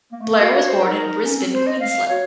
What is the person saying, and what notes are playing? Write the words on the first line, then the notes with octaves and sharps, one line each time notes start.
Blair was born in Brisbane, Queensland.
A#3
A3
A#3
F#4 F5
F#4 C#5
C5
D#4 A#4
A#4
C#4
C4
C5
D#5
F5
F#4 C#5